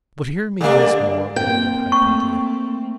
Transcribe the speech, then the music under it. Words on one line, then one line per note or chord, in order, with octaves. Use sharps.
But hear me once more, beloved Hypatia.
D3 G3 A#3 D4
A#3 C4 G5
A3 A#3 C4 C#6